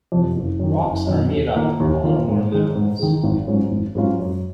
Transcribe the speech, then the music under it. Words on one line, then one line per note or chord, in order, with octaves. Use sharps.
Rocks are made up of one or more minerals.
F2 C3 F3
F#1
F#2 D#3
F#1
F#2 D#3
D#2
D#3 A#3 F4
D#2
D#3 A#3 F4
G#2
D#3 G#3
G#2
D#3 G#3
G#1
G#2 F#3 C#4 F4
G#1
G#2 F#3 C#4 F4
F#2